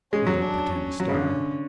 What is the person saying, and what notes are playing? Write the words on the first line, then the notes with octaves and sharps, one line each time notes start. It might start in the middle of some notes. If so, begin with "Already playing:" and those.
We don't pretend to style.
G#3 C#4
F#3
D4
C#4
F#3 C#4
C#3
D3